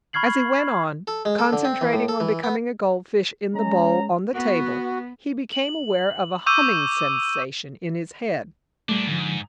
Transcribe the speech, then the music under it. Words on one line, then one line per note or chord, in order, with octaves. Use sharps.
As he went on, concentrating on becoming a goldfish in the bowl on the table, he became aware of a humming sensation in his head.
B5 C#6 F6 G#6 C7 F#7
A4
G#3
A4
D3
C4
E3
A2
A4
E3
B3
G#3 C#4 A#5
B3 F#4
F#7
C#6 D6 E6 G6 D#7
A#2 G3 A3 D4
G#2 D3 F3